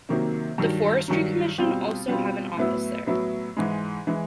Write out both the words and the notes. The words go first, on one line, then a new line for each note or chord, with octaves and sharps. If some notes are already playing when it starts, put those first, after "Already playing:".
The Forestry Commission also have an office there.
C3 D#3 F#3 A#3
G2 D#3 F#3
G2 D#3 F#3
B2 G3 C4 F4
B2 G3 C4 F4
A2 F#3 B3 E4
A2 F#3 B3 E4
G#2 E3 G#3
E3 G#3